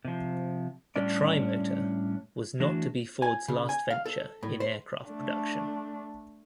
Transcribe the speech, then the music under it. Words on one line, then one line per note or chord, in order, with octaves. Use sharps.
The Trimotor was not to be Ford's last venture in aircraft production.
C3 F3
A2 G3 C#4 D4 D5
E3 A3 D4 F#4
G#5
C#3
G#5
F5
A4
A2
C5
A3 D4